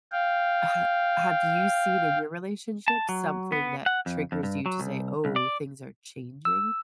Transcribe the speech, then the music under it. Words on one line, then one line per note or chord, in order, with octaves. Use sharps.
ha have you seen in your relationship, something that triggers you to say, "Oh, things are changing?"
F5 G5
A5
F#3
B3
F#5
F2
F2
G2
F#3
C2
C2
D5
E6